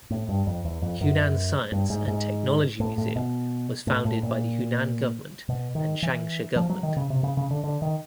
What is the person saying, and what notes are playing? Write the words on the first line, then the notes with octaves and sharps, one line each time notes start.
Hunan Science and Technology Museum was founded by the Hunan government and Changsha government.
A2
G2
F2
E2
F2
F#2
G2
G#2
G#2
A2
A2
B2
A2
A2
A#2
B2
D#3
E3
F3
F#3
D#3
C#3
C3
C#3
C#3
D3
D3
D#3